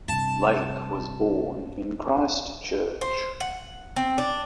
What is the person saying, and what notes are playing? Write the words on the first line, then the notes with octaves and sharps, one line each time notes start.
Lake was born in Christchurch.
G2 C3 A5
C5
F#5
C4
D4